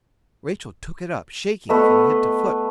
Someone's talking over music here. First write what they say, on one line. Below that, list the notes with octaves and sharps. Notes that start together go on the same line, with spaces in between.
Rachael took it up, shaking from head to foot.
A3 B3 B4 D#5